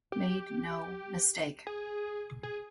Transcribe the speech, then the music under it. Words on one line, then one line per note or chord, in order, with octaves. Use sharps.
Made No Mistake.
G4
G#4
G#4